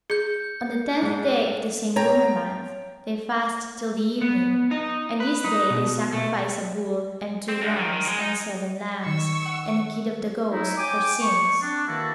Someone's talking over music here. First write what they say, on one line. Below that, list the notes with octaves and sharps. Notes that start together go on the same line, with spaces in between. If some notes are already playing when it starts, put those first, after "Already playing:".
On the tenth day of the same lunar month, they fast till the evening; and this day they sacrifice a bull, and two rams, and seven lambs, and a kid of the goats, for sins.
G#4 G6 C#7
G#2 D4
C#5 G5 A#5
B3
D#4
B4
D#4
B2
A3
C4
D2
D#3
D#3
G#3
D#4
D#3 C#6 E6 G#6
F#5
F#3 D#4 E4
C#5 G5 G#5 D6
C#6
C4 D4
D#3 E3 A#3 E4 F#4 A4